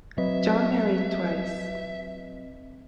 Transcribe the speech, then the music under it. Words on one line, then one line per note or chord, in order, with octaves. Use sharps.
John married twice.
F#3 C4 B4 D#5 E5